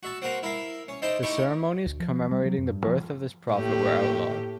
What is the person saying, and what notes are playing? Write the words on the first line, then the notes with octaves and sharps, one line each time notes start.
The ceremonies commemorating the birth of this prophet were outlawed.
F#4 E5 A5
C4 F#4 A#4 F5
E4 A#4 E5 F5
C#4
D#4 E4 C5 D#5 G5 A5
A3 D#4 E4 G4 C#6
D2
F3
G3
F#3
F#2
G2
F3
A2 A#3 G4